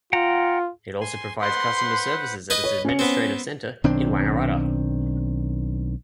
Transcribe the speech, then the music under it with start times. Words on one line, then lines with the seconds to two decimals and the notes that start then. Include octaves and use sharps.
It also provides customer services at its administrative centre in Wangaratta.
0.13 F4 F#5 G5 A#5
1.01 G#5 C6
1.42 B4 C5 F#5 C6
2.50 B4 D#5 B5
2.64 C#5
2.85 C#4 C#7
2.99 B3 C4
3.84 B1 D#3 C4 D4